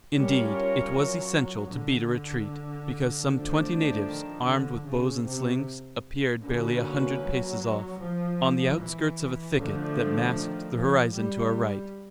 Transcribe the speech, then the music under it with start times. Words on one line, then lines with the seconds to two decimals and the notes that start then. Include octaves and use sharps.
Indeed, it was essential to beat a retreat because some twenty natives, armed with bows and slings, appeared barely a hundred paces off, on the outskirts of a thicket that masked the horizon to our right.
0.14 G3 C#4 F4 A#4 C#5
0.92 F#3
1.71 D3
3.28 F3 A3 D4
4.06 D#3
4.45 D3
4.85 C#3
5.24 C3
6.42 D3 A#3 C#4 F#4 B4
7.21 F#3
7.99 F3
8.77 E3
9.56 D3 F3 A3 D4
10.34 D#3
10.74 F3
11.13 G3